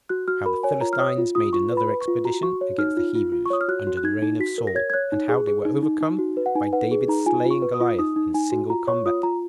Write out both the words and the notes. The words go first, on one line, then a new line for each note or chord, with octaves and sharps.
How The Philistines Made Another Expedition Against The Hebrews Under The Reign Of Saul; And How They Were Overcome By David's Slaying Goliath In Single Combat.
F#4 F#6
F#4 F6
A#4 B5
C#5 G#5
F4 A#5
F6
C#5 D#6
F4
F4 D#6
F4 C#6
B4
B5
B4
C#6
F4
F#4 A#5
F#4 C#6
C#5
D#4 F6
F4
F4
F4
C#6
C#5 D#6
F6
F#4 F#6
F#4
F#6
D#4 G#6
D#4
F#4 B6
A#4
A#6
C#5 G#6
G#6
C#5 F#6
D#4
G#4
G#4
D#4
D#4
D#4
F#4
B4
F#5
D#4 G#5
B4 F#5
G#4
D#4 A#5
F4 G#5
F4
C#6
B4
D#6
F4
D#4 D#6
D#4
D#4 G#5
F#4
F4 A#5
C#5 C#6
F4 D#6
F4 A#5